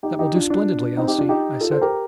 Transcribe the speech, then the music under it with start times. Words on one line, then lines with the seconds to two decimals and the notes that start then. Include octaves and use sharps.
"That will do splendidly, Elsie," I said.
0.03 D#4 G4
0.19 D#4 G4
0.35 D4 F4
0.50 D4 F4
0.97 C4 D#4
1.08 D#4 G4
1.18 D4 F4
1.29 D#4 G4
1.60 F4 A4
1.71 A4 C5
1.81 G4 A#4